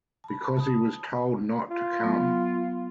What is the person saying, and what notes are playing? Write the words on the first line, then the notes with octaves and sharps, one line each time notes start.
Because he was told not to come.
A5 B5
A5 D#6
F4
F#3 B3